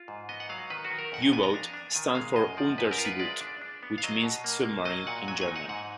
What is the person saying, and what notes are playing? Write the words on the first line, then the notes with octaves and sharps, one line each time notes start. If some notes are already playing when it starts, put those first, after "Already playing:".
U-boat stands for Unterseeboot, which means submarine in German.
Already playing: F4
G#2
B3 D#5
F#5
F#3 F5
D#3 B4
F#4
D#3
A#4
F2 F#5
G#5
B3 G#5
A#5
D4
D4
D#3 G#5
G#3 F5
F#2 D#5
F3 D5
F#2 B4
A#4
F4
B4
G#3 D5
D4
D4
B3
F5
F#3 D#5
B2
A#3
A#3
F#3 D#5
A#2 F#5
F#3 G#5
G#5
D#4
F#5
G#2 F#5